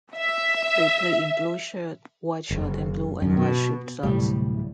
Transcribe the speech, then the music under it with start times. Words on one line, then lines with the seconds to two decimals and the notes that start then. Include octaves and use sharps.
They play in blue shirts, white shorts and blue and white striped socks.
0.16 E5
2.51 F#1
3.22 F#2
3.37 B2
4.03 D1 A2 C3 G3